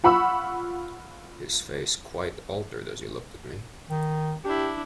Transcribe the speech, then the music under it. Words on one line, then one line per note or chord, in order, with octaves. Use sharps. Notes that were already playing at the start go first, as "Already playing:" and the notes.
His face quite altered as he looked at me.
F4 F#5 B5 C#6 E6
D#3
D4 E4 G4